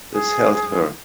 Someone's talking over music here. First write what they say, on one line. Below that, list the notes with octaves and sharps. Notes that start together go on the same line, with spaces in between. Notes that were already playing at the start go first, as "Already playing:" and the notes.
This held her.
G#4